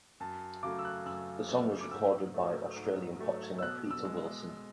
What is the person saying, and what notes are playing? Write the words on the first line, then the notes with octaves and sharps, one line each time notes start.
The song was recorded by Australian pop singer, Peter Wilson.
F#2 A5
C#3 F#3 A3 D6
E6
F#6
F#2 E6
C#3 F#3 A3
D6
G#2 E6
F#3 A3
G#2
F#3 A3
E6
B2 F#6
E6
G#3